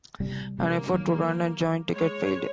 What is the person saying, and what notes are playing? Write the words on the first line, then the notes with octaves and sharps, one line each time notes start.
An effort to run a joint ticket failed.
C3 G3
C3 G3 A#3 C#4
D#3 F#3
G#3 C#5